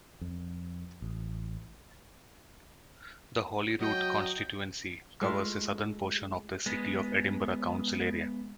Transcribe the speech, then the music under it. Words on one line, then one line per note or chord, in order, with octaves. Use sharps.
The Holyrood constituency covers a southern portion of the City of Edinburgh council area.
F2
A1
F#3 D#5 G5
G#3 A3 E4 F4
G#3 B3